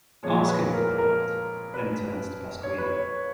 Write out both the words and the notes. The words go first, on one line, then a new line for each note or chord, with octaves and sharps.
Ask him, I laughed, then turned to Pasquini.
A#2 F3 G#3 C#5
B4
A#4
A#4
B4
C#5
B4
C#5